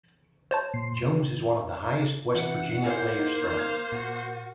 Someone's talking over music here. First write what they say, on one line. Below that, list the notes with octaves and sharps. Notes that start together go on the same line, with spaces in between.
Jones is one of the highest West Virginia players drafted.
C5 C#5 A5
A#2 C6
C3 E3 B4 F#5 C#7
A#3 E4 C5 G#5
D#4
F5 F6 G#6
A#2 F#4 C7